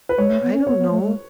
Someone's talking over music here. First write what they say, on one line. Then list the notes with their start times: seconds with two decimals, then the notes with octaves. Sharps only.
"I don't know."
0.09 B4
0.18 G#3 C#5
0.30 A3
0.43 B3
0.54 C#4
0.67 B3 C#5
0.78 B3
0.91 A3
1.03 G#3